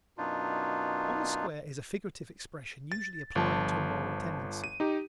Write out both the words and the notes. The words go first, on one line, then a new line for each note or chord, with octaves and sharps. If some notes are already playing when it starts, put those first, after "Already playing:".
"On the Square" is a figurative expression usually applying to a moral tendency.
F#2 B2 D4 D#4 F4
A6
G1 F3 A5
D#7
D#4 G4